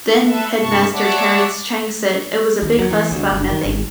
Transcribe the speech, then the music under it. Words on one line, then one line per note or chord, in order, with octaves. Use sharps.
Then-Headmaster Terence Chang said it was a "big fuss about nothing".
A4 B4 E5
G2 C3 A3 A5 C#6
C#5 D5 E5 F#5 A5 D6
D#2
F#3
E3
D2
F#1
D#3
G#1